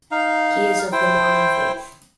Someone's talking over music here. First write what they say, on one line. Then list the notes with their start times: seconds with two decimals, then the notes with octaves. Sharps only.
He is of the Mormon faith.
0.11 D#4 F5
0.92 E4 C5 G5